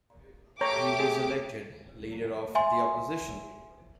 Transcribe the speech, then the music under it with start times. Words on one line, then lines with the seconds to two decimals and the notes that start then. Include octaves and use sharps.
He was elected leader of the opposition.
0.61 A3 G4 C#5 A#5 D6
1.00 G#4
2.55 E5 G#5 C6